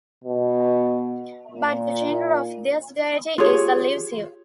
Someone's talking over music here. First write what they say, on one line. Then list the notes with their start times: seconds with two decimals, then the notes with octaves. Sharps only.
But the gender of this deity is elusive.
0.24 B2
1.52 A#2
3.38 F4 G4 G#4 C#5